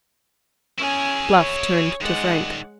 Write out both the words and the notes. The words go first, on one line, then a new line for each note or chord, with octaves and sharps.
Bluff turned to Frank.
C#4 E4 G#4 G#5
C#5
D#3 G#3 D5 F#5